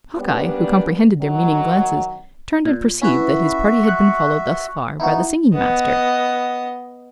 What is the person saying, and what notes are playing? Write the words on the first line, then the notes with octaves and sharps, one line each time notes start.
Hawkeye, who comprehended their meaning glances, turned and perceived that his party had been followed thus far by the singing-master.
G3 A#3 B3 C#4 D4 G4
D#3 F#3 F#4
A#2
C#4 E4 F#4 B4 E5
C#6 F#6
B3 D#4 E4 F#4
B3 D#5